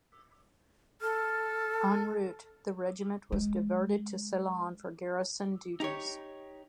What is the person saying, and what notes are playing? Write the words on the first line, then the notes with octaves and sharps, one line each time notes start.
En route the regiment was diverted to Ceylon for garrison duties.
A4 F6
G#3
D#4 G4 C#5